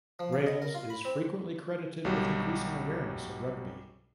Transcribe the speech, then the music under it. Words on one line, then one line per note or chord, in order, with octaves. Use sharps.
Rails is frequently credited with increasing awareness of Ruby.
F3
F5
D#5
A#4
F4
B5
C4
B1 F#3 G3